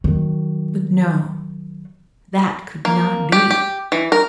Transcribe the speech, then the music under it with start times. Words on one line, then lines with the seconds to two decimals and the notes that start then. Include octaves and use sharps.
But no, that could not be.
0.04 D#3 F#3
2.85 A#3
3.32 G4
3.51 G4
3.92 E3
4.12 A#4